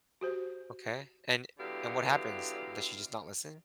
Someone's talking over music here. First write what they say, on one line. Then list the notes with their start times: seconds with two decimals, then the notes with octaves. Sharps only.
Okay, and and what happens? Does she just not listen?
0.21 F#4 G4 C5
1.59 D3 F#3 B3 E4 G4 F5